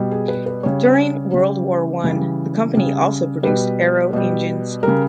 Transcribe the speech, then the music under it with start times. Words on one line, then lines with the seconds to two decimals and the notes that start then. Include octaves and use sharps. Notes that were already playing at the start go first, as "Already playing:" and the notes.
During World War One the company also produced aero engines.
Already playing: B2 G3
0.11 G#4
0.28 B4
0.46 B4
0.63 C#3 G3 C#5
1.34 C#3 G3
2.04 C#3 E3 G3
2.73 C#3 G3
3.43 B2 G3 B4
4.13 B2 G3
4.83 C#3 G3 A#4